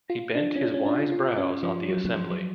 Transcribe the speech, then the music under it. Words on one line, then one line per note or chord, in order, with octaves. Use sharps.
He bent his wise brows on the assembly.
F4
D4
C#4
D4
C#4
D4
F4
F4
C#4
F3
F#3
F3
F#3